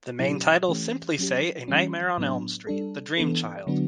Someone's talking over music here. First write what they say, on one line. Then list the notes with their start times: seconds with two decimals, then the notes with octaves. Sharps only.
The main titles simply say "A Nightmare on Elm Street: The Dream Child".
0.19 B2 F#3 C#4 E4 G4
0.68 E3 A3 C#4 G4
1.19 F#3 C#4 G4
1.68 E3 G3 C#4
2.18 A2 F#3 B3 D4
2.67 G3 D4 A4
3.17 E3 B3 D4 A4
3.67 D3 F#3 B3 D4 F#4